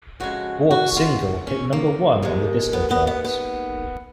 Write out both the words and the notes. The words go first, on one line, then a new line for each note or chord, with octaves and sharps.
Ward's single hit number one on the disco charts.
F2 C#3 G#3 F#4
F#4
F4
C#4
A#3
D#2 D#3 G#3
B3
B3
B3
B3